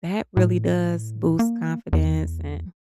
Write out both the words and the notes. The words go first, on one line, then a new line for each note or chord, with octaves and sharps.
that really does boost confidence and
A2
A#3
E2